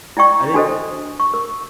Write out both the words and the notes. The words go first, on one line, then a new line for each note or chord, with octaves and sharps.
I think,
E4 D5 G5 C#6
D4 F#4 A4 C5 D#5
C#6
A#4